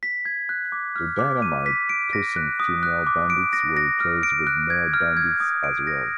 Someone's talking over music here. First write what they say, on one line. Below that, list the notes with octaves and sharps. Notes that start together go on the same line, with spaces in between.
The dynamite-tossing female bandits were replaced with male bandits as well.
B6
G#6
F#6
D6
F6
D6
D#7
B6
D7
A#6
F#6
D#6
F#6
D6
D7
A#6
A#6
F6
D7
F#6
G#6
F6
G#6
D#6
D7
A#6